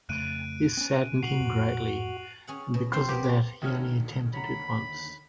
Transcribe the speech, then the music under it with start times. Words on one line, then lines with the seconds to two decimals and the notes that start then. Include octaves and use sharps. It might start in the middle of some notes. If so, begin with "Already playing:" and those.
This saddened him greatly, and because of that, he only attempted it once.
0.09 F2 C#3 A3 F#6 D7 D#7
0.77 C4 C#4
1.23 F#4 C7 F7 F#7
1.40 F2 A2
2.47 C#4 G#4 F#5
2.74 B2
2.93 F3 C4 F4 C5
3.09 A#3 B3 G4
3.24 B4
3.62 D#2 D3 D#3 C#4 D#4 F#4 E5 F6
4.33 C#5 F#5 A#5 B5